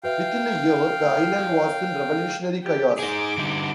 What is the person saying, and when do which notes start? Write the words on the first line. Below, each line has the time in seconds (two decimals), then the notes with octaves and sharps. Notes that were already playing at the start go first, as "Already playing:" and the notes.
Within a year the island was in revolutionary chaos.
0.03 F#4 B4 E5 F5 G5
1.49 C#5
2.63 G4
2.99 D#4 G#4 D6
3.38 D3 G3 D#4